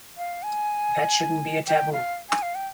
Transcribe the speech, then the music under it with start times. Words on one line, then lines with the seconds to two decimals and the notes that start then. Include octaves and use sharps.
That shouldn't be a taboo.
0.17 F5
0.43 G#5
1.67 G5
1.93 F5
2.30 G#5
2.42 F5
2.55 G5